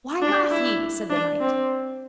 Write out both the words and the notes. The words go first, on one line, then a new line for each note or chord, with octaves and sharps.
Why laugh ye? said the knight.
D4
E4
D4
C4